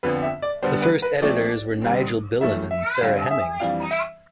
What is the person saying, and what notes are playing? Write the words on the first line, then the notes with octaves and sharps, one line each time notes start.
The first editors were Nigel Billen and Sarah Hemming.
F2 D3 F3 B3 F4 B4
E5
D5
D3 G3 B3 D4 C5
B4
B4
F3 A3 C4 D5
D3 G3 C4
G2 E3 A3 E5
E5
G2 D3 G3 C4 G4 F5
E5
F2 E3 G3 D4 F5
E5